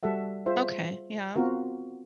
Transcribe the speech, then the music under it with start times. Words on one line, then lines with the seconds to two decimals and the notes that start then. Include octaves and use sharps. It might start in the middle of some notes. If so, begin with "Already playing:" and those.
Okay, yeah.
0.03 G3 F#4 A4 E5 F#5
0.46 F4 G#4 C5 E5
1.36 B3 C4 F4 F#4 A#4